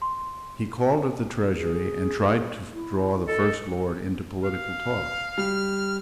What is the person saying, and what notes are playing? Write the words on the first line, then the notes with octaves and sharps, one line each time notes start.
He called at the Treasury, and tried to draw the First Lord into political talk.
C6
G#4
E4
A4 D#5
F5
G3 F6